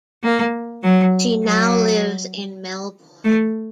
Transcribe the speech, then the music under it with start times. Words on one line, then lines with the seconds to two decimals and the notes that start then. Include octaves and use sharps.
She now lives in Melbourne.
0.23 A#3
0.84 F#3
1.44 F#3
3.24 A3